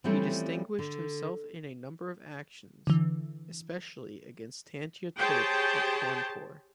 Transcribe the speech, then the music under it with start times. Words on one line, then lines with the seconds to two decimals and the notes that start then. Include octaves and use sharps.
He distinguished himself in a number of actions, especially against Tantya Tope at Cawnpore.
0.04 E3 F3 G3 A3 C4 C#4
0.79 D3
2.87 D3 E3
5.18 G4 G#4 C5 C#5 G5 A5